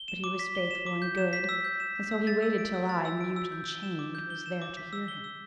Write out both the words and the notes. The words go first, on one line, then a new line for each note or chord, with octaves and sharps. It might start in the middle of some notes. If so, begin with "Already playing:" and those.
But he was faithful and good, and so he waited till I, mute and chained, was there to hear him.
Already playing: G7
E7
D6
B6
G7
E7
D6
G6
E7
B6
E6
G6
E7
B6
E6
A6
E6
D7
E6
A6
E6
D7
E6
G6
G7
E7
D6
G6
G7
E7
D6
B6
E6
G7
E6